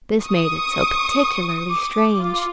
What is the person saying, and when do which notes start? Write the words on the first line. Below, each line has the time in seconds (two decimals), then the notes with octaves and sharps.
This made it so particularly strange!
0.23 C#6 D#6
1.70 D6
2.19 F4